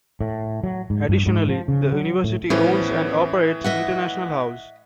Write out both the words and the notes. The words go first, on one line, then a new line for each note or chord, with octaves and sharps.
Additionally, the University owns and operates International House.
A2
F#3
G#2
G2
G#2
F3
C#3
F#3
A2
A2 E3 F3 B3 C#4
D#5 E5 F#5